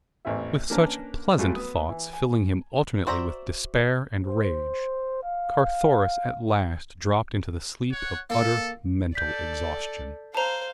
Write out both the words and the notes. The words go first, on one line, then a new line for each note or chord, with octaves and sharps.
With such pleasant thoughts filling him alternately with despair and rage, Carthoris at last dropped into the sleep of utter mental exhaustion.
A1 E2 E3 C4 E5
A#3 C#4 D4 A#4 B4
F#3 G3 A3 C#4 F4 F#4
B3 D#6
E3
G#5
F#4 C5 D5 E5 A#5
C5
F5
C#5 F#5
A#3 A4
A4 D5 G6 B6
C5 F5 A5 A#5